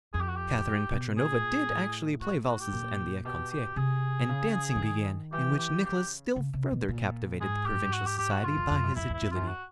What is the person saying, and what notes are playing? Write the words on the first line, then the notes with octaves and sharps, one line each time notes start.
Catherine Petrovna did actually play valses and the ecossaise, and dancing began in which Nicholas still further captivated the provincial society by his agility.
F2 G#4
G4
F#4
G4
B2
A#2 G#4
A2
F#4
F#4
G4
A#2
B2 G4
G4
C3 G#4
C#3
E3
D#3
E3 G4
G4
C#3 G4
C#3
C3
B2
A#2
G#2 G#4
G4
F#4
G4
G4
F#4
G2 F4
F2
F2
F#2
F2 E4
E2 E4
F2
F#2 F4
F#4